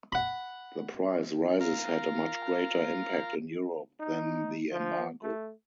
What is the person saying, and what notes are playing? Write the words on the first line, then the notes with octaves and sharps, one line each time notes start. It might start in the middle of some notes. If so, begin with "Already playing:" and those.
The price rises had a much greater impact in Europe than the embargo.
F#5 B5
F4 A#4 F5 A#5
D#4
F3
A3